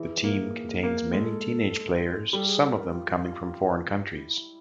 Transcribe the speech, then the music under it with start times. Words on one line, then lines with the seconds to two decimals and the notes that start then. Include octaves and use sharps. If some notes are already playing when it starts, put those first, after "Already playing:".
The team contains many teenage players, some of them coming from foreign countries.
Already playing: E3 G#4
0.24 A#3
0.83 A#3
1.12 G#3 A4
2.32 G3 A4
2.48 G#4
2.62 A4
2.78 A#4
2.92 F4
4.11 E4